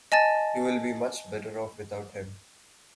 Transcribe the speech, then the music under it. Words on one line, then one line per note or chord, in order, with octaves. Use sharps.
You will be much better off without him.
D#5 G#5 A5 A6